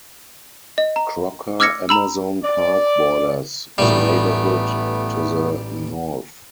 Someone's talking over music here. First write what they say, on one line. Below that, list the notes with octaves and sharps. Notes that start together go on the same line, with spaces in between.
Crocker-Amazon Park borders the neighborhood to the north.
D#5
A#5
D6 E6 F6 G#6 A#6 C#7
A#5 B5 E6
D5
A1 G3 A3 B3